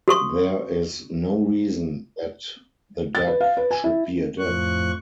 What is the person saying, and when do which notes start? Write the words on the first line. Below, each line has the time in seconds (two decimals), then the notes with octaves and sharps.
There is no reason that the duck should be a duck.
0.08 F#4 A4 C#6
3.15 A6
3.27 B4
3.40 F5
3.57 B4
3.71 G#5
3.84 E4
4.38 F2 A2 F3 C#6 F#6